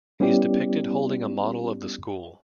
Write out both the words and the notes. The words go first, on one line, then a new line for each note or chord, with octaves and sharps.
He is depicted holding a model of the school.
G3 B3 C#4 E4 G4 D5